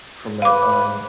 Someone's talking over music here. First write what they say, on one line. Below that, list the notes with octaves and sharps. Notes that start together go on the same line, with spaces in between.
from that time.
B4 F5 D6